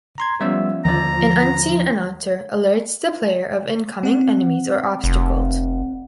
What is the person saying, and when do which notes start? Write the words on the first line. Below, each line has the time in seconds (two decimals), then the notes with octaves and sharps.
An unseen announcer alerts the player of incoming enemies or obstacles.
0.18 A#5 C6 G#6
0.41 F3 G3 B3 C#4 E5 E6
0.85 D#2 D3 D#3 F3 D5 A#5
4.03 C4 F#5
5.04 F1